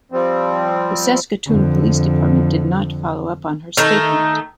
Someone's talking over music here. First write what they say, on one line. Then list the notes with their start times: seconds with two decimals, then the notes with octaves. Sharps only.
The Saskatoon police department did not follow up on her statement.
0.12 F3 G3 C4
1.46 F2 D3
3.77 D#3 A3 D#4